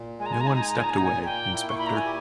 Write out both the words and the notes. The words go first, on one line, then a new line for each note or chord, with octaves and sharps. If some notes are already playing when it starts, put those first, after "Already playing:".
No one stepped away, inspector.
Already playing: A#2
G#3 G#5
A#5
G#5
A#5
D#4 G#5
A#5
G#5
A#5
A#2 G#5
A#5
G#5
A#2 A#5
G#5
A#3 G5
E4
C#6
A#2 B5
A#5
G#5
G4